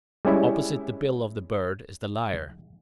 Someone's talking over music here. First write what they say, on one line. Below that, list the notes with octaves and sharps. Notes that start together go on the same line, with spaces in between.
Opposite the bill of the Bird is the Lyre.
G3 G#3 C#4 E4 E5